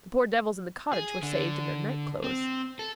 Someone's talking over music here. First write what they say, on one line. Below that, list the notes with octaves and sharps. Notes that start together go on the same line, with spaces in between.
The poor devils in the cottage were saved in their night clothes.
G#4
D3
C4
A4